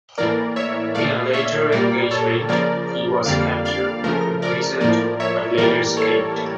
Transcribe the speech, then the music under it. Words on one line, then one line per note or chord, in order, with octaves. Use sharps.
In a later engagement, he was captured, imprisoned, but later escaped.
A2 E3 A#3 A#4 D5
C#5 E5
A#2 A3 D5 F5
C#5 E5
A#2 G3 A#3 A#4 D5
A4 C#5
C#3 F3 A#3 A#4 D5
F2 D3 G3 A#3 D5 F5
D5 F5
C#3 F3 A3 A#4
A#4 D5
A2 F3 A#3 A#4 D5
C#5 E5
A2 E3 G3 A#3 A#4 D5
A4 C#5